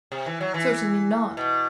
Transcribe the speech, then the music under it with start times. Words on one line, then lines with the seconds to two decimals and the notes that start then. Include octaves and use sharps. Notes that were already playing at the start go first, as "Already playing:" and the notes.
Certainly not.
0.12 C3
0.26 E3
0.41 F#3
0.54 E3
1.37 B2